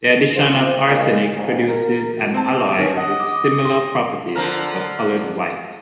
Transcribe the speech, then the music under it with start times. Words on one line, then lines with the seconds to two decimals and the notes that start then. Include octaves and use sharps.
The addition of arsenic produces an alloy with similar properties but coloured white.
0.36 A#2 F4 C5
0.87 A#2 G#3
1.36 A#1 F2 G#2
1.68 A#4
2.34 C4 A5
2.78 D#3 C#4
2.97 D#5 F#5
3.20 D6
3.65 C6
4.35 D3 F3 A#4